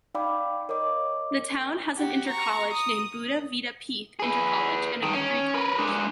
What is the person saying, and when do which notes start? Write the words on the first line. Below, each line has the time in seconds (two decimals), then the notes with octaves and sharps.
The town has an intercollege, named Buddha Vidya Peeth Intercollege, and a degree college.
0.15 D#4 D5 F5 G5 B5 D6
0.69 A#4 C#5 D#5 D6
1.97 F#4 G4
2.27 A#5 C#6
2.72 D#6
4.20 G#4 B4
5.03 G2 D#3
5.14 C#4
5.54 A#4 B4
5.79 G#3 D4